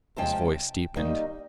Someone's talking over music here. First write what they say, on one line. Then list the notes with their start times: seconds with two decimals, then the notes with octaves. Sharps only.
His voice deepened.
0.16 C3 F3 G#3 C#4 G5 A5
0.96 D#3 G3 A#3 D#4